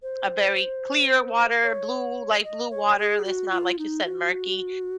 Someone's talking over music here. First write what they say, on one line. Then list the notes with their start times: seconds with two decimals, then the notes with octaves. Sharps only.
a very clear water, blue, light-blue water, it's not, like you said, murky.
0.03 C5
1.63 C#5
2.44 D#5
2.71 C#5
2.98 G#4
3.25 F#4
3.52 F4
3.79 D#4
4.05 F#4